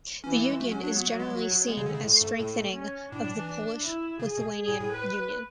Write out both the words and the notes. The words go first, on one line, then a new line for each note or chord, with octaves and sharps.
The union is generally seen as strengthening of the Polish-Lithuanian union.
E3 C#4
B3
G#3
F#3 A3
C#4
D4
B3
A3
G#3
F#3
G#3 B3
C#3
D3
C#3
A2 A3
G#2
A2
C#4
A2 D4
A2
E3
D4
E4
C#3 G#4
B2
G#4
A2
A2
B4